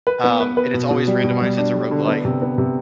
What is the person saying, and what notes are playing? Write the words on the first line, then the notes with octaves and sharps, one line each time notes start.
um, and it's always randomized, it's a roguelite,
B4
B3
B4
B4
B2
B2
G3
B2
G3
D4
G3
D3
B3
C3
B3
C3